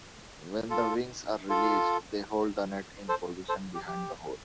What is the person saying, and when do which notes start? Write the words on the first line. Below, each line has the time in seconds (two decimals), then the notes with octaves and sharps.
When the wings are released, they hold the nut in position behind the hole.
0.70 F4 A4
1.49 F4 A4
3.08 A4 C5
3.49 A4 C5
3.75 G4
3.88 G4